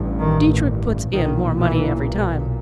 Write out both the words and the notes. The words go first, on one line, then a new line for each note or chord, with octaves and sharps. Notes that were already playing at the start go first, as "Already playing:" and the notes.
Dietrich puts in more money every time.
Already playing: A1 G2
D#3
B1 A#2 D#3
E3